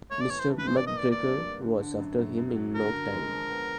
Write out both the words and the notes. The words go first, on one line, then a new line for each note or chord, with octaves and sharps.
Mr McGregor was after him in no time.
A3 C#5
D5
E3 C#5
C5
G2
B4
E3 C5
D5
A#3 D#5
D5
A#3
D5
G2
A#3
D3
D3
F#2
F#2
F#2
F#3
D3 A#4
D3
G#3
F3
B3